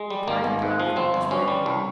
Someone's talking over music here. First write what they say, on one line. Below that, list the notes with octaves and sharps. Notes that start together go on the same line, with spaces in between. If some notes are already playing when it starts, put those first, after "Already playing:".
The party platform was written.
Already playing: G#3
G3
G#1 A#3
G#1
G#2
F3
G1 C4
G1
G2 C#4
G3
C2